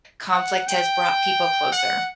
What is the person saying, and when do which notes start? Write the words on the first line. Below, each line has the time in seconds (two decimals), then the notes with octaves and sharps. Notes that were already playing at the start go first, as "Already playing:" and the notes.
conflict has brought people closer?
0.32 F#5
0.67 G5
1.72 F#5